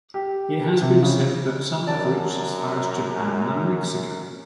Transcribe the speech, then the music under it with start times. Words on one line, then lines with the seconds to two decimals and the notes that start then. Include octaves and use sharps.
It has been said that some have reached as far as Japan and Mexico.
0.14 G4
0.82 C3
1.03 C#3
1.87 F#2 D5 A5 A#5